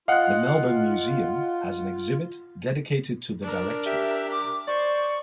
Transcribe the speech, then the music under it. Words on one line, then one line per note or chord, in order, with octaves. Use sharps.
The Melbourne Museum has an exhibit dedicated to the directory.
F4 D#5 F5 F#5 F#6
D4 A#4
G4 E5
D6
C5 D5 C#6